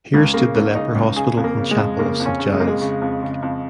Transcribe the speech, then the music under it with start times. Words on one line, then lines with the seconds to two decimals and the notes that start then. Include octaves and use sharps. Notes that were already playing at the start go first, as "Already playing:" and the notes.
Here stood the leper hospital and chapel of Saint Giles.
0.14 C#2
0.34 C#3 A#3
0.55 C#2
0.75 C#3 D#4
0.95 C#2
1.16 C#3 G#4
1.37 F2
1.44 A#3
1.57 C#3
1.71 G#3
1.77 F2
1.99 C#3 A#3
2.20 F2
2.26 C#4
2.39 C#3
2.53 G#3
2.60 F2 A#3
2.67 G#3
2.81 C#3
3.02 F2
3.23 C#3
3.42 F2